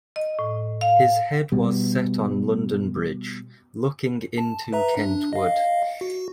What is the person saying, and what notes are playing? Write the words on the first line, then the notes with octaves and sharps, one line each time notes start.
His head was set on London Bridge, 'looking into Kentward'.
D#5
A2
F5
B2 G3
A5
B4 E5 A#5
D4
D#5 F5
F#4